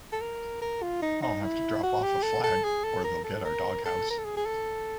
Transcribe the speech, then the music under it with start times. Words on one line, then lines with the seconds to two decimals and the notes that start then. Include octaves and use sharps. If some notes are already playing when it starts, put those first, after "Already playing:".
I'll have to drop off a flag, or they'll get our doghouse.
0.13 A4
0.21 A#4
0.62 A#4
0.82 F4
1.02 D#4
1.23 D#4
1.43 E4
1.83 F#4
2.03 G4
2.23 A4
2.44 A4
2.64 G#4
2.84 A4
3.04 A#4
3.24 A4
3.45 A#4
3.86 A4
4.10 A#4
4.18 A4
4.25 G#4
4.37 G#4
4.46 A4